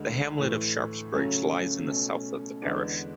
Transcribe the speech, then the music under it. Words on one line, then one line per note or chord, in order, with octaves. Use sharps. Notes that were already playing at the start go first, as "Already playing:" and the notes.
The hamlet of Sharpsbridge lies in the south of the parish.
Already playing: D2 D3 G#3
A2 E3 A3
C#3 F#3 A3 C#4
B2 A3 C#4
E2 D3 G#3 B3 D4